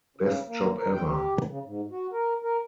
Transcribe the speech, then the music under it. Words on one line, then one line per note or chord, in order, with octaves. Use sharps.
Best job ever!
C#3
A#3
A#4
G5
G4
C#3
G#2
F#4
A#4
A#4